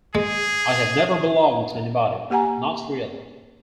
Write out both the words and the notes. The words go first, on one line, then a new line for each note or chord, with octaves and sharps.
I’ve never belonged to anybody — not really.
G#3 G#4
A#3 G4 F#5 G#5 A#5